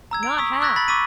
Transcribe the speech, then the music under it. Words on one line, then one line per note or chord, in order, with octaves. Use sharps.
Not half.
A#5 E6 G#6
D7 F7
C#6 D#6 E6 B6
C#6 E6 F#6 G#6 A#6 B6
B5 A6 B6 F#7
C#6 D6 E6 A6 B6 D#7